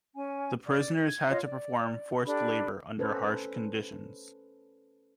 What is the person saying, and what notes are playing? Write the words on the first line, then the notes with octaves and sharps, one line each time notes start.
The prisoners had to perform forced labor under harsh conditions.
C#4 G#5
D5
G#6
F4 C#5 D#5 F5
D5
D4 G4 A4 B5
C#4 A4 B4 C5